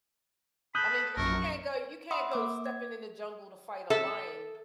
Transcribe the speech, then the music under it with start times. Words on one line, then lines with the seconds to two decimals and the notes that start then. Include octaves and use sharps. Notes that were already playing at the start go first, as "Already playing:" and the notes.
I mean, 'cause you can't go you can't go stepping in the jungle to fight a lion
0.75 A4 B5 D#6 F#6 G6
1.16 A#1 F#2 A#4 C#6
2.11 E5 F#5 B5 C6 D#6 E6
2.32 A#3 D6 E6
2.66 G#6
3.90 A4 E5